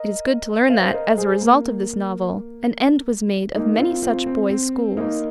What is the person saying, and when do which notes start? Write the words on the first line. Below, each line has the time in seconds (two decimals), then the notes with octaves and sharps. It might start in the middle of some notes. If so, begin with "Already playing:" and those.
It is good to learn that, as a result of this novel, an end was made of many such boys' schools.
Already playing: A#4 D#5
0.70 C5 F5
0.82 C5
0.94 A#4 D#5
1.18 G#4 C5
1.41 A#3
3.55 A#3 D#4
3.78 C4 F4
4.02 C4 F4
4.26 C4
4.49 C4
4.97 A#3 D#4